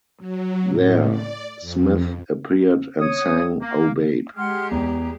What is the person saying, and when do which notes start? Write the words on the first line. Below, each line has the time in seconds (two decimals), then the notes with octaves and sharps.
There, Smith appeared and sang "Oh, Babe".
0.19 F#3
0.70 A2
1.09 D5
1.61 F2
2.99 C#5 D#6
3.61 A#3
4.36 G#3 G4 G#4 F#5 C6 F6
4.71 E2 A#5